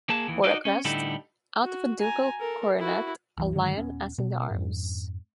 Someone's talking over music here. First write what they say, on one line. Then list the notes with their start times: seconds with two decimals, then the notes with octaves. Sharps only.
For a crest: out of a ducal coronet a lion as in the arms.
0.09 A#3 G#4 A5
0.27 D#2 E3
0.44 D#4 F#4 D5 D#5
0.65 C#4
0.85 A2 D3 G3 D#4 E4 A4
1.63 F#4
2.00 G#5 A#5
2.40 A4 A#4
2.79 E4 F#4
3.37 C2 F#2 E3
3.54 G2 D3 D#3 G#3
3.77 D#1 B3 C#4
4.18 B2
4.51 F2 G#2